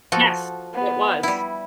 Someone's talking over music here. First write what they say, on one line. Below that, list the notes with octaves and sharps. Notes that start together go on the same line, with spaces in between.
Yes, it was.
F3 F#4 A4
B3
G3 E4